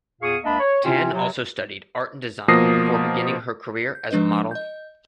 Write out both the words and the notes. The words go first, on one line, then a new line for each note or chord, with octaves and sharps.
Tan also studied art and design before beginning her career as a model.
E2 A#2 G#4 F5 C#6 D#6
C#2 A#3 D4 D#5 E5 B5
C#5
C3 C4 C#4 E4 F4
C3 F#3
B2 F3 A#3 D#6 A#6 C7
G6
F3 G#3 D4 B4 D#5
D#5 G6